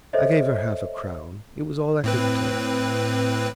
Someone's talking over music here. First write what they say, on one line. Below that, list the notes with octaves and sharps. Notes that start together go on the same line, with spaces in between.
I gave her half-a-crown; it was all I could do.
A4 C5 C#5 D#5 E5
A2 C4 B4